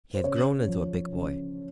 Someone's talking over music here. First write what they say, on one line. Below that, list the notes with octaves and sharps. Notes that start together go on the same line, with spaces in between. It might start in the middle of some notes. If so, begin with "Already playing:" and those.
He had grown into a big boy.
C5
C#3 C#5
F3
C#3